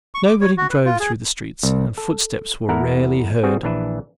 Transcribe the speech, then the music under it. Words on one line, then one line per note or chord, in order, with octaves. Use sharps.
Nobody drove through the streets and footsteps were rarely heard.
C#6
D6
C#5
F#4
B4
F4
G#4
C2
A4
E2 E4 A4 A#4 F#5 A#5
G3 C4 F#4 G#4
A#1 E3 D4 B4 E5